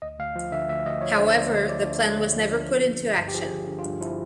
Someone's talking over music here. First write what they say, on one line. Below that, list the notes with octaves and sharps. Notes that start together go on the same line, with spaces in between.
However the plan was never put into action.
D2 D#5
D2 F5
F3
D3 E5
D2 E5
D2 D#5
F3 C#5
D3 C5
D2 D5
D2
F3 D5
D3
D2 A4
D2
F3
D3
F3
G1
D3
G2
G4
F3 G#4
G1
D3
F4
G2
F3 E4